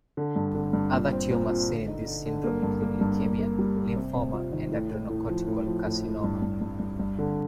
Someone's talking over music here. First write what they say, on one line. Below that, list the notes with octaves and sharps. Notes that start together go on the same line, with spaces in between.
Other tumours seen in this syndrome include leukemia, lymphoma and adrenocortical carcinoma.
D3
G2
D3
G2
A#2
C4
A#2
F4
D3
D#4
D3
D3
A#3
G2
A#3
G2
A#3
A#3
G3
A#3
C3
C3
F4
D#3
A2
A2
A2
F3
A2
F3
A2
A2
G2
G2
G2
G2
G2
D3